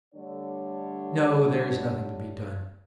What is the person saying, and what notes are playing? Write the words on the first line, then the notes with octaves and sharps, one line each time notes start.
No, there is nothing to be done.
D3 G3 A3 D4 C#5